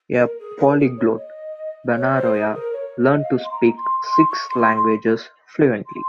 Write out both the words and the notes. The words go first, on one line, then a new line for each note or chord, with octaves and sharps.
A polyglot, Benaroya learned to speak six languages fluently.
A#4
G#4
A#4
G#4
C#5
D#5
C#5
C5
G#4
A#4
C#5
D#5
F5
D#5
C6
A#5
C6
C6
C#6
C6
C6
C6